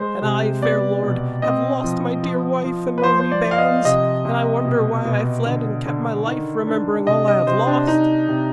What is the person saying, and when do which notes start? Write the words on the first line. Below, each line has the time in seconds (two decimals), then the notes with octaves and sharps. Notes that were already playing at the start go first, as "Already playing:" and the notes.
And I, fair lord, have lost my dear wife and my wee bairns, and I wonder why I fled and kept my life, remembering all I have lost.'
Already playing: G#3 C5
0.22 C3
0.62 B3 D5
1.03 B2
1.42 C4 D#5
1.84 F3
2.23 F3
2.64 F3
2.98 B4
3.04 F3 C5
3.20 C5
3.32 D5
3.44 F3
3.51 F5
3.58 D#5
3.84 C3 D#5
4.25 C3
4.65 B2
5.05 B2
5.45 D3
5.86 D3
6.27 D#3
6.67 D4
7.07 C3 D#5
7.28 D#5
7.47 C3 C5
7.67 D4
7.87 D4 D#4
8.28 C3